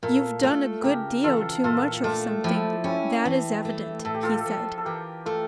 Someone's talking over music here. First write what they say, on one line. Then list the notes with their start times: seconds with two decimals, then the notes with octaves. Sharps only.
"You've done a good deal too much of something, that is evident," he said.
0.03 A#2 F4 A4
0.43 A3 F4 A4
0.83 C#3 G4 A#4
1.24 E3 F4 A4
1.64 A#2 F4 A4
2.04 A3 D4 F4
2.44 F3 E4 G4
2.84 C#4 E4 G4
3.25 E3
3.65 A3
4.05 A2 A4
4.15 G4
4.23 F4 A4
4.46 F3
4.78 A4
4.85 E3 G4 A#4
5.26 A3 F4 A4